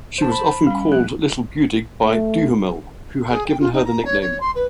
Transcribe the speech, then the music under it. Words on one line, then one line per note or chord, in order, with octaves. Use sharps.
She was often called "Little Budig" by Duhamel, who had given her the nickname.
C5 A5
B5
G3 C#4
F3 A3 G4 F#6
A3
G#4
G5
F4
D#4
A#5
C#5
C#5
C6
B4